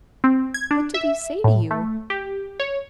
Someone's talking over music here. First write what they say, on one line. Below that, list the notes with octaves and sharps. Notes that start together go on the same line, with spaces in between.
"What did he say to you?"
C4
G#6
D4
E5
A2
A3
G4
C#5